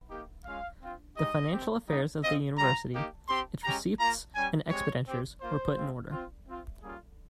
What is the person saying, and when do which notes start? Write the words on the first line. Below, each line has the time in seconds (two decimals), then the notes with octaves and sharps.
The financial affairs of the university, its receipts and expenditures, were put in order.
0.10 A#3 D#4 G4
0.45 G#3 C#4 F4 F5
0.81 C4 F4
1.17 G#3 D#4 G4 D#5
1.52 C4 G4
1.87 G3 A#3 D#4
2.22 C4 F4 D#5
2.58 G3 C4 F4 A#5
2.93 A#3 D#4 G4
3.29 C4 G4 C6
3.64 G#3 C#4 G4 A#5
3.99 A#3 F4 A#5
4.35 G3 C#4 G4 G#5
4.70 G#3 C4 G4 C#5
5.06 C4 G4
5.41 A#3 F4 C5
5.77 G#3 C4 F4
6.12 C4 F4
6.47 C4 F4
6.83 G3 A#3 C#4 F4 G#4